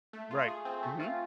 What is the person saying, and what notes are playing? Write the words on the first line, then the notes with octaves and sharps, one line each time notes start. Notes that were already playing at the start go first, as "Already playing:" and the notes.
Right, mhm.
A3
F4
G#4
C4
A3
F4